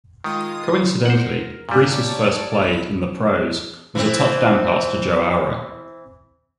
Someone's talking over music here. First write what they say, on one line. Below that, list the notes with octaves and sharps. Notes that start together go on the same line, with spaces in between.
Coincidentally, Griese's first play in the pros was a touchdown pass to Joe Auer.
D#3 G#3 F4 D#6
A#4 C5 F#5
G2 A#2 G3 D4
C#5 D5 A5
B1 B5
E3 C4